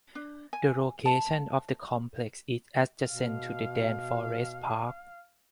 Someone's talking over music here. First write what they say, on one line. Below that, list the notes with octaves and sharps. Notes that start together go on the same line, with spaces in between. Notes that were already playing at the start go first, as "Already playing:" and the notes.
The location of the complex is adjacent to the Daan Forest Park.
D4
G#5
A5
B2 F5